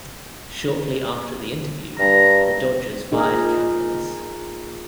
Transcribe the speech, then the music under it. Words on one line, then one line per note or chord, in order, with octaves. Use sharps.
Shortly after the interview, the Dodgers fired Campanis.
G2 A#5
A#2 D#4 G#4 A#4